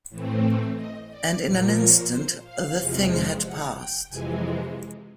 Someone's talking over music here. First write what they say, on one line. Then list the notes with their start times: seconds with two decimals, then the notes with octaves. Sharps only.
And in an instant the thing had passed.
0.10 A2 E3 A3 C4
0.77 D#5
1.10 D5
1.43 A#2 F3 A#3
1.77 C#5
2.10 C5
2.43 F5
2.76 E2 C3 F3 G#3
3.43 F#5
3.76 G5
4.09 F2 C3 E3 G#3 G#5